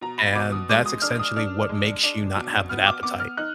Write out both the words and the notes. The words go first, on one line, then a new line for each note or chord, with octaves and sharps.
and that's essentially what makes you not have that appetite.
B2 A#5
B5
B2 D6
D#6
G#3 D6
D#6
D4 F6
D#6
D4 F6
G#3
D4
B2
B3 F6
D6
B3 D6
F6
D#4 F#6